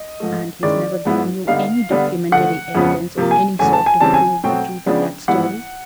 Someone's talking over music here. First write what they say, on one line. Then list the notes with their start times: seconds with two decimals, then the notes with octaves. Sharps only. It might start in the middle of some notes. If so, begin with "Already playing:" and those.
"And he's never given you any documentary evidence of any sort to prove the truth of that story?"
Already playing: D#5
0.20 G#2 F3 A3
0.63 D#3 G#3 C#4 E4 D5
1.05 G#2 F3 G#3 B3 E4
1.47 D3 G3 B3 D#4 F5
1.90 D3 G3 B3 D4
2.32 D3 F3 A3 F#5
2.75 F2 C#3 F3 G#3 B3
3.17 C3 F3 A#3
3.31 G#5
3.59 E2 C#3 F#3 A3 G#5
3.73 A5
3.86 G#5
4.00 C#3 E3 G3 C4 A5
4.14 G#5
4.44 B2 F#3 A3 C4 G5
4.86 C#3 F3 G#3 B3 D4
5.28 G#2 E3 G3 B3 E4 F#5